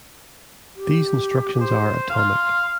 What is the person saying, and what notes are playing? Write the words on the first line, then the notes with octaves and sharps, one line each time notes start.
These instructions are Atomic.
G4
C5
F5 C6